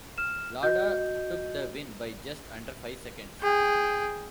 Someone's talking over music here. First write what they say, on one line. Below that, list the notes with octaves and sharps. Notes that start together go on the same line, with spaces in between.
Lauda took the win by just under five seconds.
F6 E7
F#4 D#5 G6
G#4 G5